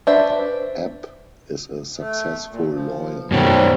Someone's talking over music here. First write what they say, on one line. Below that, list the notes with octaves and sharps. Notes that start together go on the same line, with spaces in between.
Epp is a successful lawyer.
D4 F#4 B4 C5 E5
A3
A#2
F3
F#2 B2 D#3 F#3 G3 C4